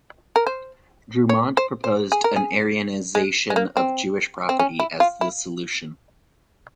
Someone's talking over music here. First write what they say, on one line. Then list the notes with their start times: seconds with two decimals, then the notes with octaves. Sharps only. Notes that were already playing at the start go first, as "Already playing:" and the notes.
Drumont proposed an aryanization of Jewish property as the solution.
0.36 A#4
0.47 C5
1.29 C#5
1.57 C5
1.84 C5
2.12 G#4
2.24 A#4
2.36 G#4
3.15 G#3
3.50 G#3
3.56 A#3
3.77 C4
4.49 C4
4.59 C#4
4.79 E4
5.00 F4
5.21 E4